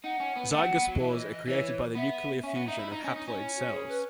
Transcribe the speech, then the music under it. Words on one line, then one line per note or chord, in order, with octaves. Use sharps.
Zygospores are created by the nuclear fusion of haploid cells.
D#4 F#5
C#4
B3
A3 F#5
F#3
B3
F#3
D#5
E3 E5
C#5
D#5
D#5
E3 C#5
B3 E5
C#4 E5
B3
D#4 E5
E4
D#4 D#5
C#4
D#4
C#4
E4
F#4
G#4
B4